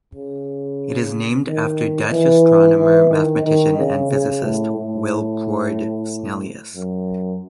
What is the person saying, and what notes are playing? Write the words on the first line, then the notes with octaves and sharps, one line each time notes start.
It is named after Dutch astronomer, mathematician and physicist, Willebrord Snellius.
C#3
D#3
E3
E3
D#3
D#3
C#3
C#3
A2
A2
F#2